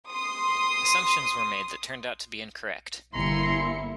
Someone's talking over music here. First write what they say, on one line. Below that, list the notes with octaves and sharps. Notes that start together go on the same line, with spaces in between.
Assumptions were made that turned out to be incorrect.
C6 D#6
G1 A#3 E4 G#5 A#5 C6 C#7